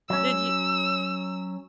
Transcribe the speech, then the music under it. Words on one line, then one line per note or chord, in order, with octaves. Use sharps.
Did you
F#3 C#4 E6